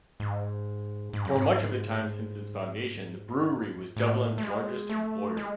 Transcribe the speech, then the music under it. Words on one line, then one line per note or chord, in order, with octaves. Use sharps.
For much of the time since its foundation, the brewery was Dublin's largest employer.
G#2
G#2
F#2
G#2
A2
A3
G#3
A3
G#3